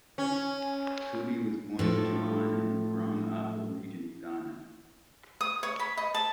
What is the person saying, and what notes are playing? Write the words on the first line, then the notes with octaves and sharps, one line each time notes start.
Kubi was born in Jaman in the Brong Ahafo region of Ghana.
C#4
A2 F3 A4
D#6
C#5
B5
D#5
A5